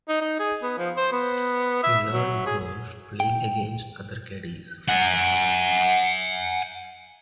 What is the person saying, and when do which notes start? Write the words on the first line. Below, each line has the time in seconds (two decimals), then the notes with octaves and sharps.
He learned golf playing against other caddies for money.
0.08 D#4
0.21 D#4
0.39 G#4
0.63 B3
0.78 F3
0.97 C5
1.12 B3
1.83 E5
2.10 F#3
2.46 G#4
3.20 G5
4.88 F#5 G#5